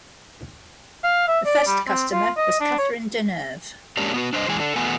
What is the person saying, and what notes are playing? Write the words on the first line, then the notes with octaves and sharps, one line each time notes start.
The first customer was Catherine Deneuve.
F5
E5
D5
G3
C4
F4
D#5
D4
C#5
G#3 A#3 C#4 D4 G4
B3 F#4 B4
D4 B4 C5 D5 D#5
E3 G#3 G#4
D4 A4
E2 B2 A3 B3 F#4 G#5